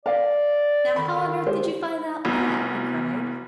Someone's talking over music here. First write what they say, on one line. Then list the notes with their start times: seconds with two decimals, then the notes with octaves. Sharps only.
'Now how on earth did you find out that?' he cried.
0.06 D5 F5
0.96 D3 D#3 B5
1.46 G#3 G4 C5
2.25 F1 C2 B2